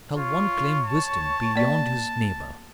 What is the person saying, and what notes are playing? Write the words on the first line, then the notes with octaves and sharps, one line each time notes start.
Shall one claim wisdom beyond his neighbor?
F4 C#5
A5
A#3 D5